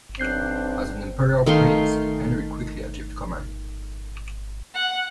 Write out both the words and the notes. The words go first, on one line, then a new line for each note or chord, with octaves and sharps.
As an imperial prince, Henry quickly achieved command.
B1 C4 D4 F#6 G6 C7
D#3 A3 F5 C6
F#5